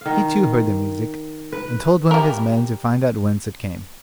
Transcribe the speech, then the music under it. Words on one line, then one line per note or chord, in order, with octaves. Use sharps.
He too heard the music, and told one of his men to find out whence it came.
D#3 F5
B4
G3 A#4